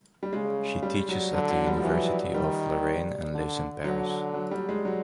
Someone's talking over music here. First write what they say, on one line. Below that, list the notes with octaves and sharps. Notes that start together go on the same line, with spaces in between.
She teaches at the University of Lorraine and lives in Paris.
G3
C#3 G#3
G3
F#3
D3 F#3
F#3
G3
F3
E3 F#3
D#3 G3
D3
D3 F#3
F#3
G3
G#3
F#3